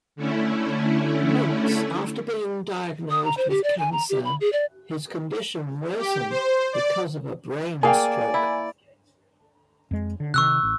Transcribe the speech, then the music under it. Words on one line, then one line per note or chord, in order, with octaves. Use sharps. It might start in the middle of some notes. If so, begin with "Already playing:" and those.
Months after being diagnosed with cancer, his condition worsened because of a brain stroke.
D3 A3 C#4 E4
D#6
A#5
C5
G4
D5
G#5
A#5
G4
B5
G#4
D5
G4
C5
D5
A#3 G#4 D5 F5 G5 G#5
E4
F2 G#3
D3
C3 D#3 C#6 E6 F#6
A1